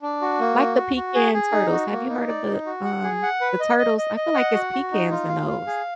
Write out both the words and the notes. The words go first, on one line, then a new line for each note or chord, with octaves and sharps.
like the pecan turtles, have you heard of the, um, the Turtles? I feel like it's pecans in those.
D4
F#4
A#3
F#4
F#4
F#4
G#4
G#4
D#4
F#4
A#3
D#4
D5
D#4
F#4
F#5
G#4
F#5
B4
D#5
D#5
D#5
D#5
F#5
F#4
F#4
D#4
F4
F5
F5
G#4